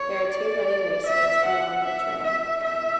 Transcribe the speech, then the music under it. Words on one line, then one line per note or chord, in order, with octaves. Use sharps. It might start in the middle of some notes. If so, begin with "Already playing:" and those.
There are two running races along the trail.
Already playing: C#5
D5
E5
F#5
E5
E5
E5